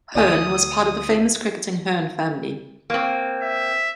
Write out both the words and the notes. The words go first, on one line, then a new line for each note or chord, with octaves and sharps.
Hearne was part of the famous cricketing Hearne family.
D2 D5 G#5 D#6
A#3 C4
E5